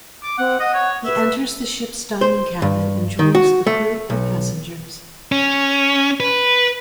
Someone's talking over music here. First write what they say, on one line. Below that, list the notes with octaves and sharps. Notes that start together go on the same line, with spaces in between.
He enters the ship's dining cabin and joins the crew and passengers.
D6
C4 F#5
D#5 F#5
C#5
B4 E5
C5
G2
D#3
F#4
A3
B1
C#4
B4